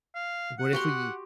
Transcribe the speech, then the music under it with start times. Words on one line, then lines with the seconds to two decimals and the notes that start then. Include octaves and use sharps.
what if we
0.15 F5
0.59 F#5
0.73 F#4 G4 C6